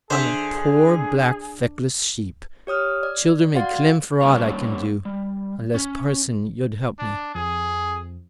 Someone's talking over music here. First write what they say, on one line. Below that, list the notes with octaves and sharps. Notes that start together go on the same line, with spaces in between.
I'm a poor black feckless sheep--childer may clem for aught I can do, unless, parson, yo'd help me?'
D3 G#4 C5 E5
G4 C#5 D#6 F6
D5
F#4 D5 F5 F#5 C6 A6
G3 A#3 C#4 D4 F4 C#5
G3
C#4
D4
F2 G#4